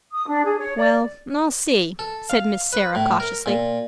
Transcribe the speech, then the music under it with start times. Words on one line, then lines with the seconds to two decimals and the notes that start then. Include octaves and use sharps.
"Well, I'll see," said Miss Sarah cautiously.
0.12 D#6
0.29 D4
0.44 G#4
0.59 C#5
0.76 D5
1.99 A4
2.30 F5
2.73 B4
2.95 A2
3.20 A#4
3.46 A#2